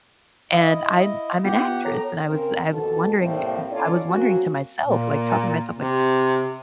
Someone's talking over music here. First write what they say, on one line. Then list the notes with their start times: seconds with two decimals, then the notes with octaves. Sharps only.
and I'm I'm an actress, and I was I was wondering I I was wondering to myself, like, talking to myself, like,
0.51 E4 D#5 F5
1.45 B3 F4 G4 F#5 G5
1.85 A4 C#5 A#5
2.27 C#3 C4 A#4
2.71 D#2 B2 F3 A4
3.19 A2 C3 G3 A#3 C4
3.71 C#4 D#4 F4 A4 C#5 D5
4.08 F#3 A#3 C4 C#4 F#4
4.85 A#2
5.77 C3